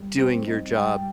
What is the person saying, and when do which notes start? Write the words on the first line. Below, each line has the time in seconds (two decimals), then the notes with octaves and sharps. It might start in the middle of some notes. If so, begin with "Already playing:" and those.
doing your job,
Already playing: G3
0.18 C4
0.47 D#4
0.76 G3 G5